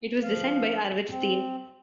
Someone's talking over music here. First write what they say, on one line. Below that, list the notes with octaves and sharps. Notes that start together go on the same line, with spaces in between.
It was designed by Arvid Steen.
F3 F5
C4